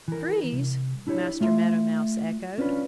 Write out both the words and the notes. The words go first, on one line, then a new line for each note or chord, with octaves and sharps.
"Trees!" Master Meadow Mouse echoed.
E3 A#4
C2
D4 E4 G4 C#5
A3 F4 E5 B5 C6
C#4 D4 F4 B4